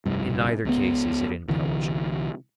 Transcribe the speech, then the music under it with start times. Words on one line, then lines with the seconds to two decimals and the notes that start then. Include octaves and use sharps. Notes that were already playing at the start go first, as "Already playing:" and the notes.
In neither case is it intelligent.
0.05 F1 C2 G2
0.65 C#2 G#3 B3
1.48 C2 D3 E3